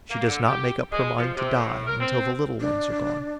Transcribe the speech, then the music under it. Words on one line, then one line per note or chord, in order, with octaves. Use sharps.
She does not make up her mind to die until the little ones are gone.
A#3
D3
G4
G#3
F3
C3
A2
A#4
C4
D4